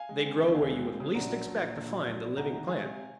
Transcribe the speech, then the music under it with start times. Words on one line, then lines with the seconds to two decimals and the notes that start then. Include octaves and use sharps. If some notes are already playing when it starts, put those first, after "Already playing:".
They grow where you would least expect to find a living plant.
Already playing: F5 G#5
0.09 G#3
0.24 C4
0.39 C#3
0.54 D#2 F5 G#5
0.70 G#3
0.85 C4
1.00 C#3
1.15 A#1 F#5 A#5
1.30 F#3
1.46 A#1
1.61 A#2
1.76 A#1
1.91 F#3
2.07 A#1
2.22 A#2
2.37 C2 F#5 A#5
2.52 D#3 F#5 A#5
2.67 G#3 F5 G#5
2.83 C3